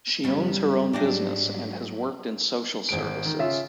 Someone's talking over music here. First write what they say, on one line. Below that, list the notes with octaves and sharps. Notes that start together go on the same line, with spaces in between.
She owns her own business and has worked in social services.
F#2 C#3 G3 B3
G#2 F3 F#3 D4 G4 D#5
G#1 G#3 D7
D#3
C#3 F4 E5